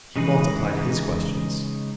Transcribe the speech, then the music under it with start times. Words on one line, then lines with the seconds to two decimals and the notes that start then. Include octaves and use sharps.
He multiplied his questions.
0.15 C#3 E3 G#3 D#4 G#4 B4